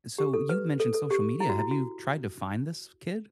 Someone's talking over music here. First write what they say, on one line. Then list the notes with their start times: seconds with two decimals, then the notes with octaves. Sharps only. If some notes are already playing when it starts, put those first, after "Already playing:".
So, you've mentioned social media, have you tried to find this kid?
0.18 G4
0.34 A4
0.49 B4
0.80 A4
0.94 A4
1.11 G4
1.40 E4
1.50 F#4
1.59 E4
1.71 F#4